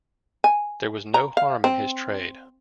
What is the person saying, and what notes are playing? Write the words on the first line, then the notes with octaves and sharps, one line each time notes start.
There was no harm in his trade.
G#5
A#5
F5
C4